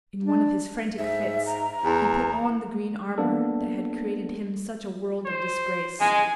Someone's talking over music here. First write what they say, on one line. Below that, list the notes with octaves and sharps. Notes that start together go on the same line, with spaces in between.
In one of his frantick Fits, he put on the green Armour, that had created him such a World of Disgrace.
D4
G#2 E5
A#5
E2
A#3 B3 D4 A4
C5
G#3 G#5